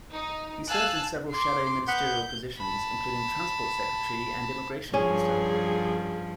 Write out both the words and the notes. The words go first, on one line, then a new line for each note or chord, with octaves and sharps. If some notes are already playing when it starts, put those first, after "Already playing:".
He served in several shadow ministerial positions, including Transport Secretary and Immigration Minister.
D#4
F5 G#5 A5 E6 F#6
C6 D6
B3 G6
A5 B5
G2 F3 C#4 G#4